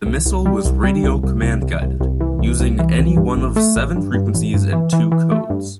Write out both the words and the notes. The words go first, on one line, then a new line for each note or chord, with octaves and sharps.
The missile was radio-command guided, using any one of seven frequencies and two codes.
C2
C2
G3
C2
G3
C2
C2
C2
C2
C2
C2
E3
C2
C2
E3
C2
G2
A1
A3
A1
G2
G2
A1
G2
E3
E3
E3
A3
G2